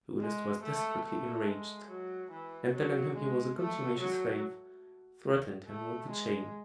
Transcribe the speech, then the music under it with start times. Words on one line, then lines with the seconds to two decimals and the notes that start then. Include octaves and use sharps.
Mr. Willis was desperately enraged, and, telling him he was a contumacious slave, threatened him with the chain.
0.20 G#3
0.62 A3
1.05 A3
1.46 G#3
1.89 F#3
2.31 E3
2.73 F#3
3.16 G#3
3.58 A3
4.00 F#3
5.68 A3
6.09 G#3